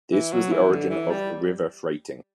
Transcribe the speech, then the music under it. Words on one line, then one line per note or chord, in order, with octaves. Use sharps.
This was the origin of river freighting.
E3
F#3
E3
D3
E3
G3